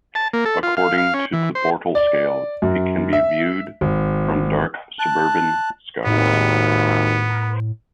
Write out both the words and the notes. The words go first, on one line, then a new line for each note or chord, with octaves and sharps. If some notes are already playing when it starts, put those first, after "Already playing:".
According to the Bortle scale, it can be viewed from dark suburban skies.
A5
A#3
A4
F4
F5
F5
C#4
E3
C5
D5
F#2
E5
G#1
A5 F#6
G#1 D#2 A2 B3